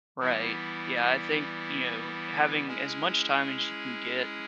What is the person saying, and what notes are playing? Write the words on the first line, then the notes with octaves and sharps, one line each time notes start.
Right. Yeah, I think, you know, having as much time as you can get,
E3 G3 B3 E4
G#3 C#4 E4 G#4